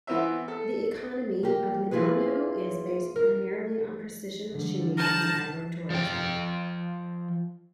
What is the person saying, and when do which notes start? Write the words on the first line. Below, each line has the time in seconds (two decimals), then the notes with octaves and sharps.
The economy of Minano is based primarily on precision machining and agro-tourism.
0.07 E3 B3 C4 E5
0.48 A4
1.43 A#3 G4
1.91 A#3 E4 F4 G#4 B4
3.16 A#4
4.51 D3 F3 G3
4.98 A5 A#5 F6 G6 F#7
5.90 F3 G5